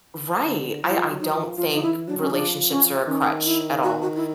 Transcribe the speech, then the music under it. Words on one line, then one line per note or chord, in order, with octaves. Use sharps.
Right, I I don't think relationships are a crutch at all.
D3
F3 F4
E4
F4
F#3
D#4
F3
F3 F4
D#4
E3 E4
F#3 D4
C#4
F3 D4
C#4
D#3 C#4
E4
F#4
F#4
E4